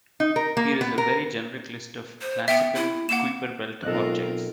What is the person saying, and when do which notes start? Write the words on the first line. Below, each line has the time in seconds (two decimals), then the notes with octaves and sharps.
Here is a very generic list of classical Kuiper belt objects.
0.20 D#4
0.36 A#4
0.57 A#3
0.81 B3
0.98 A#4
2.21 C5
2.48 B3 E5 G5
2.75 E4
3.09 A#3 F#5 E7
3.83 B1 F#2 C4 F4 A4 A#4 D#5 F#6